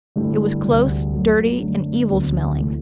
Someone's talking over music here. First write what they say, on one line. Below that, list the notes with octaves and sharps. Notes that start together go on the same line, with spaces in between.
It was close, dirty, and evil smelling.
G2 D3 A3 E4 G4
D2 C3 G3
F#2 F#3 A3
F#2 D3 A3 D4
D2 D3 F#3 B3 F#4
C3 E3 A3